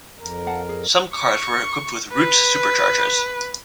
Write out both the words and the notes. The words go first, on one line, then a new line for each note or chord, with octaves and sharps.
Some cars were equipped with Roots superchargers.
F2 A#4
F5 F#5 A5
G#4
C#6
B4